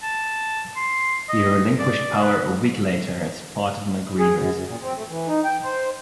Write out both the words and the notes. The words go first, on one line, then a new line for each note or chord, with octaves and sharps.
He relinquished power a week later as part of an agreement.
A5
C6
D#5
D5
B4
G#4
F#2
F#2
A#2
C4
A3
E3
D#4
G5
C5